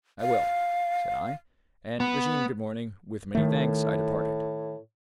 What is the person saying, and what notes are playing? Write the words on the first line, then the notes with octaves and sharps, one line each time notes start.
"I will," said I, and wishing him good morning, with many thanks, I departed.
F5
B3
A2 D#3 A3